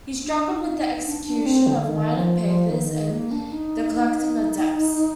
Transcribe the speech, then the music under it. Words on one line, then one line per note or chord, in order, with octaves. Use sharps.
He struggled with the execution of minor papers and the collecting of debts.
D4
D#4
D#4
D4
D4
C4
D3
D#3
F3
F3
D#3
D#3
A#3
D4
D#4
D#4